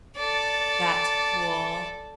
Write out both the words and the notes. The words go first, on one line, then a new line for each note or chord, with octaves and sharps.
That's cool.
A4 D5